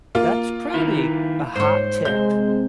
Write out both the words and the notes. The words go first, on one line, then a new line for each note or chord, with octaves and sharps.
that's probably a hot tip.
A#3 F4
D#3 E4
G#2 C5 C#5
C3 G#3 G6